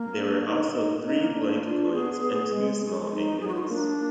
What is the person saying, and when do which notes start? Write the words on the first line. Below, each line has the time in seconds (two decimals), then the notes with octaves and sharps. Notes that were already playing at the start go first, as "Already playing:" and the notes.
There were also three blank coins and two small ingots.
Already playing: A#3
0.17 D4
0.46 D#4
0.75 D#4
1.05 A#3 D#4
1.34 D4
1.64 D4 F4
1.93 B3 G#4
2.22 B3
2.52 G#3
2.81 G#3
3.11 D#4
3.40 F#3 G#4
3.48 F#4
3.55 F4
3.62 D#4
3.70 A#3 D4